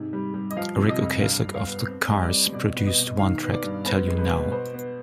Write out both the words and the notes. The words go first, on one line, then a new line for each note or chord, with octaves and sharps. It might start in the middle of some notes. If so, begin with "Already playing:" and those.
Ric Ocasek of the Cars produced one track, Tell You Now.
Already playing: G#2 C3
G3
G3
D#5
F3 F5
C3
D#5
F2
G2 F5
G2
F5
B3
C4
G3 D#5
D5
C4
B2 D5
B3
D#5
B2
D#3 F5
B3
D5
G2
B3 C5
G#3
B4
B2
B3 C5
B3